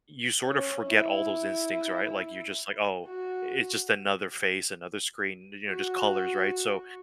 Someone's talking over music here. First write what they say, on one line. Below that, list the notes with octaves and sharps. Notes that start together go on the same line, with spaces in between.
you sort of forget all those instincts, right, like, you're just like, "Oh, it's just another face, another screen." n you know, just colors, right, so
C#4
E4
F#4
F#4